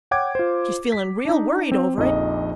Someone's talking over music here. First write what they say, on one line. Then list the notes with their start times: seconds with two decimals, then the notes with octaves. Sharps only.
She's feeling real worried over it.
0.11 C#5 F#5 G5 D6 G#6
0.35 F4 C5
0.92 B6
1.25 D4 D#4
1.72 C4
1.97 A#1 F2 D#4 D#5